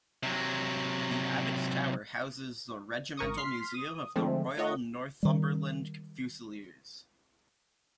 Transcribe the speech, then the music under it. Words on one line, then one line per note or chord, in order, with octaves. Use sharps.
The Abbot's Tower houses the Regimental Museum of the Royal Northumberland Fusiliers.
C3 F#3
G#1 A#4 C#6 D#6
C6 F6 B6 C7
D#6
D3 F3 G#3 A3 C4
A3 F4 C#5 D#5 F#5
D#3 G3